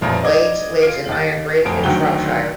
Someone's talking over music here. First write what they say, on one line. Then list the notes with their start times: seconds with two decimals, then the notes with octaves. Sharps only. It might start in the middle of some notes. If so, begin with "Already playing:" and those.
Blades lives in Ironbridge in Shropshire.
0.01 A1 F2 A#2 E3
0.23 D#4 D5 D#5 G#6
0.82 F4 C7 D7
1.09 D#2 D#5 A6
1.65 D1 F2 D7
1.84 D2 D#3 F#3 F#4 G5 G7